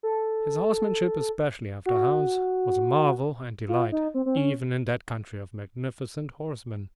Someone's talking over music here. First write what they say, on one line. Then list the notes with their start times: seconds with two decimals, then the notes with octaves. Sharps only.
His horsemanship, especially after hounds, was a marvel and delight even in that country of magnificent horsemen.
0.03 A4
1.86 F#4
3.69 F4
3.92 D#4
4.14 C4
4.26 C4
4.37 C#4